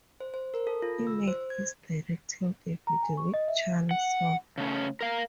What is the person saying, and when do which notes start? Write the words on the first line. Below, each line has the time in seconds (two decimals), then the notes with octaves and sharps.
He made his directing debut with Chann Song.
0.20 C5
0.34 C5
0.54 A#4
0.67 A4
0.82 F4
1.07 E6
1.28 C5
1.50 G#6
2.87 A#5
3.03 G#5
3.17 C#6
3.34 D#5
3.48 E5
3.91 F#5
4.58 C#3 A3 C#4
5.01 A#4 F5